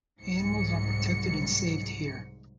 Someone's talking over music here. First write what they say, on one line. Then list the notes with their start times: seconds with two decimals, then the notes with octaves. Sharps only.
Animals are "protected and saved" here.
0.20 C2 G#2 F#3 C#7